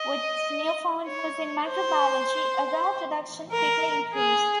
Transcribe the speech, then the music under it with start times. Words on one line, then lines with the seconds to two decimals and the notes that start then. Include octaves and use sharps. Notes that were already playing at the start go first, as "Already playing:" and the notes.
With its newfound use in microbiology, agar production quickly increased.
Already playing: D#5
1.07 C#5
1.68 C5
3.52 A#4
4.14 G#4